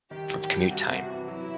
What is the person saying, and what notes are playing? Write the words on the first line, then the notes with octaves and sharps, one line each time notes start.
f of commute time,
D#3 G4
A1
G4
G2
C3 F#4
C3
E3
F#3 E4